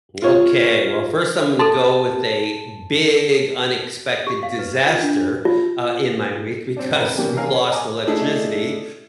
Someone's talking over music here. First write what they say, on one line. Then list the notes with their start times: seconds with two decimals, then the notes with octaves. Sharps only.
Okay. Well, first, I'm gonna go with a big unexpected disaster, uh, in my week because we lost electricity
0.22 F4 C#5
1.59 A4 A5 C6
4.27 G4
4.43 F5
4.59 B4
4.87 F4
5.02 D4
5.45 F4
6.76 C4 D4
6.95 A#4 B4 G5
7.17 D#3 E3 A#3 C#4 D4 G4
7.37 A#4 F5 G#5
7.54 C#5 B5 C#6
7.70 D#5 G#5 A#5 D6
8.07 A3 D4 E4 G#4 A4 D#5